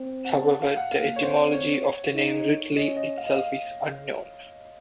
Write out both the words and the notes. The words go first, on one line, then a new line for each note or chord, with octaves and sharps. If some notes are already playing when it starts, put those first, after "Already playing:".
However, the etymology of the name "ridley" itself is unknown.
Already playing: C4
F#5
A5
F#5
F5
F#5
A#3 F5
C#5
C4 C5
C#5
D#4
C#4 D#5
D#5
F5
D#5
F5